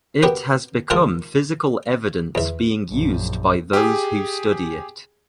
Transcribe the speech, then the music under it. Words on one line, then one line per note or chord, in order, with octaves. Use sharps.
It has become physical evidence being used by those who study it.
B3 F#4 G4 A#4 B4
G#2 D#3 F4 A#4 F5 A5
E2 E5
A#1 F#2
G4 G#4